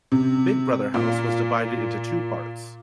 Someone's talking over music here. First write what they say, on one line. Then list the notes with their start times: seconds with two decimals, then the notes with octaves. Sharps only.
Big Brother house was divided into two parts.
0.12 C3
0.94 A#2